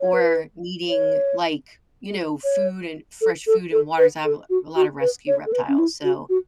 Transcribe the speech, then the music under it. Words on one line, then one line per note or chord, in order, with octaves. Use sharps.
or needing, like, you know, food and fresh food and water 'cause I have a lot of rescue reptiles. So,
C#5
B4
C#5
C#5
A4
A4
A4
B4
A4
F#4
F#4
B4
C#5
A4
B4
C#4
E4
F#4
F#4